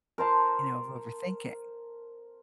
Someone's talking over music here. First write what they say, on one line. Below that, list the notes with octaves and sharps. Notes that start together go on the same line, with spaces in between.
you know, of overthinking
A#4 C5 A5 C6